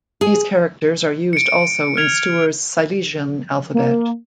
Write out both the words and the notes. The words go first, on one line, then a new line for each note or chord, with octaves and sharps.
These characters are used also in Steuer's Silesian alphabet.
G#4
C#7 D7
F6 G#6 F7
A#3